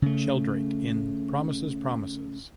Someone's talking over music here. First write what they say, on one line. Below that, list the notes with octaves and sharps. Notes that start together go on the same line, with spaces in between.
Sheldrake in "Promises, Promises".
C#3 A3